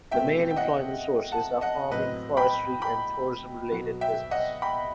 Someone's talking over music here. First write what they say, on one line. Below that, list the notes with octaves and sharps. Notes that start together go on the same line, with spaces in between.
The main employment sources are farming, forestry and tourism-related business.
B2 A3 C4 E5 G5
G5
D#5 F#5
F#5 A5
D#5 F#5
A2 F#3 C4 B4 D#5
G5 B5
G5 B5
B2 F#3 B3
E5 G5
D#5 F#5
G5 B5